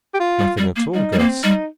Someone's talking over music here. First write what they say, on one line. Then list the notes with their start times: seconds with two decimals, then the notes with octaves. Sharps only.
"Nothing at all, Guss."
0.14 G4
0.20 F4
0.39 G3
0.58 G3
0.76 A#3
0.94 G3 D#4
1.13 G3
1.19 A#3 C4
1.43 G3 D#4